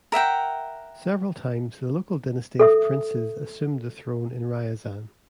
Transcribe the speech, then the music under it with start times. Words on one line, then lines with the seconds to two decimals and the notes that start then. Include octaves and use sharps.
Several times the local dynasty of princes assumed the throne in Ryazan.
0.12 A#4 E5 F#5 G5
2.59 A4 E5 D#6